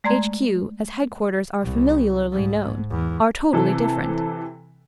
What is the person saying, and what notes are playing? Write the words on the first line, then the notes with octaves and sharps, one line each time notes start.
H. Q.'--as headquarters are familiarly known--are totally different.
G#3 A3 D5 A#5 C6 G#6
C2
G#2
E2
C3 E3 A4